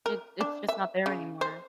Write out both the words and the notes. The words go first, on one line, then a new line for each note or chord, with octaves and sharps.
It it's just not there anymore.
A#4
D4
E5
C#3
C5